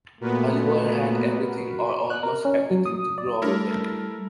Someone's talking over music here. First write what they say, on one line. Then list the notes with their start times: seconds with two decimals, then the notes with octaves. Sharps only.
Oliver had everything, or almost everything, to grow up well.
0.21 A#2 A3 B3 F#4 A#4 B4
2.10 F#6
2.23 A#4
2.45 C#4
2.71 F#3
2.86 D#6
3.18 D5
3.42 G3 A3 D4 E4 G4 A4 A#4